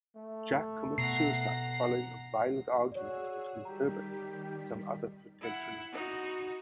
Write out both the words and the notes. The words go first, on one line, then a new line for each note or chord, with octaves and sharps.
Jack commits suicide following a violent argument between Herbert and some other potential investors.
A3
B2 F#5 A#5 C7
F#4 G#4 C#5 D5 E6
D#3 G3 G4 A#5 B6
E4 F#5
D#4 F#4